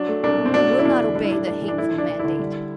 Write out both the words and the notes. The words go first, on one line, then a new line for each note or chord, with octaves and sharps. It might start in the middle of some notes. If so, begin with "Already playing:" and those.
I will not obey the hateful mandate!
Already playing: F#3 D4
A3
C2 D4
B2
C4
F#3 D4
A3
E4
E2 D4
D3
G3 D4
E4
A2 D4
A2 D4
E3
D4
A3 E4
D2 D4
D2
D3 E4
G3